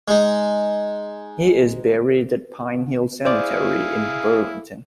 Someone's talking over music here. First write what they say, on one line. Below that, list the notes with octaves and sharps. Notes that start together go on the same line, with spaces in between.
He is buried at Pine Hill Cemetery in Burlington.
G#3 D#4
E4 G#4 C5 D5 F5